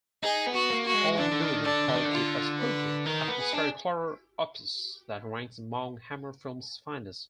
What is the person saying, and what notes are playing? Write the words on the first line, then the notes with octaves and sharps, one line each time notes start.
AllMovie called it a spooky, atmospheric horror opus that ranks among Hammer Films' finest.
D#4 G#4
B3
F#4
A#3
F#4
G#3
D3 D4
D3
D#3
D3 D4
D3
D#3
D3
F4
B4
D#3 A#4
B3
G#4
D4